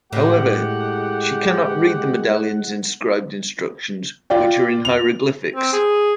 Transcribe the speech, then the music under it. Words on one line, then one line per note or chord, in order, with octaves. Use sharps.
However, she cannot read the medallion's inscribed instructions, which are in hieroglyphics.
A2 G#3 G4 F#5
F4 D5 G5
F7
C4
G#4